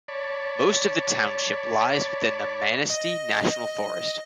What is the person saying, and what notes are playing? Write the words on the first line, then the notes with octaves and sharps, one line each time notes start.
Most of the township lies within the Manistee National Forest.
C#5 D5 A5 B5
D#5